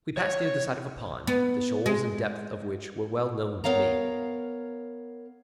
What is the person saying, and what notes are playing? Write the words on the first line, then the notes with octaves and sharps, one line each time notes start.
We passed near the side of a pond, the shoals and depths of which were well known to me.
C#5
B3
G#3
B3 A#4 C#5 F5 A#5